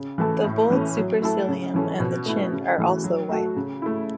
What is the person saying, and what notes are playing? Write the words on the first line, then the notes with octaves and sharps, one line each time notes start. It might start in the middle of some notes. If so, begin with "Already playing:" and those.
The bold supercilium and the chin are also white.
Already playing: C#3
E3 A3 E4 A4
A2
E3 C#4 A4
F#3
A3 E4 A4
C#3
E3 C#4 A4
B2
A3 E4
C#3
E3 A3 F#4
F#3
A3 F#4 A4
C#3
A3 E4